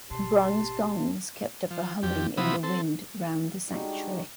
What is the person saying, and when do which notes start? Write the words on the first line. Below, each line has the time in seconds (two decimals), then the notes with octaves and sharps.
The bronze gongs kept up a humming in the wind round the sanctuary.
0.10 G#1 B2 G4 A5 C6
1.71 F3
2.03 F2 G4
2.37 C3 F3 F#3 E4 B5 D#6
2.63 C4 A4
3.69 G3 G#3 D4 D#4 F#4 G4